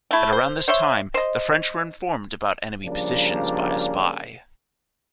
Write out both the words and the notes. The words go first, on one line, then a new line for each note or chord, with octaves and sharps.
At around this time, the French were informed about enemy positions by a spy.
A3 E4
C5
C5 C#5 E5 C6
C5 D#5
C#3 F3 G3 A#3 D4